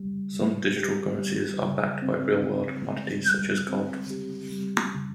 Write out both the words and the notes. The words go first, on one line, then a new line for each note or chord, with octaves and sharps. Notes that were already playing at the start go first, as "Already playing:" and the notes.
Some digital currencies are backed by real-world commodities such as gold.
Already playing: G3
G3
G4
G3
C#3
C4
C4
G#3
G3
C4
G4
G3
C#3